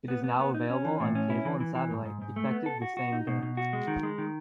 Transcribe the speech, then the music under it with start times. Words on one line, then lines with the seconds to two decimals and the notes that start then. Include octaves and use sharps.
It is now available on cable and satellite effective the same day.
0.08 B3
0.24 B3
0.39 B3
0.54 D#4
0.70 C#4
0.85 E3
1.00 A2
1.15 C#4
1.30 E4
1.45 E3
1.60 E3
1.75 E3
1.90 G#2
2.05 G#2
2.22 G#2
2.36 A3
2.51 B3
2.66 A4
2.82 F#4
2.97 F#4
3.12 D#4
3.27 B2
3.43 B2
3.57 F#4
3.73 G#3
3.87 D#3
4.03 G#3
4.18 D#3